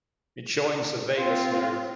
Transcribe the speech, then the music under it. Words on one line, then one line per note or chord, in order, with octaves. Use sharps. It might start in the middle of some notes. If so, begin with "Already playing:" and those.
It joins the vagus nerve.
C4 F4